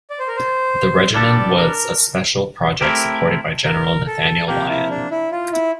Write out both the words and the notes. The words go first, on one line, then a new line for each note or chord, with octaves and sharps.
The regiment was a special project supported by General Nathaniel Lyon.
D5
C5
A#4
C5
G3 D4 A4 D5
A#4
A3 C4 E4 G4 A#4
A#4
A4
C3 F3 A#3 G4
E4
D4
E4
F4
E4